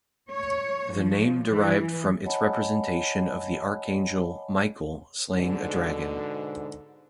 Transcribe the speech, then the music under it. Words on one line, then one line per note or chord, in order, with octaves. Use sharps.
The name derived from its representation of the archangel Michael slaying a dragon.
C#5
F3
E3
C#5 D#5 F#5 G#5 A5 B5
G#2 B2 D3